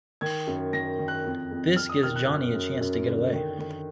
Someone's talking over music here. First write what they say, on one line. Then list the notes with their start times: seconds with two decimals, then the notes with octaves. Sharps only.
This gives Johnny a chance to get away.
0.21 D#3 G#6
0.47 F#2
0.73 D#3 A#6
0.99 D#3
1.08 F#6
1.25 F2
1.51 F2
1.76 F2 F6
1.89 D#6
2.03 D#3 F6
2.16 F#6
2.29 F#2
2.55 F#2
2.81 F#2
3.06 D3
3.33 D#3
3.59 D#3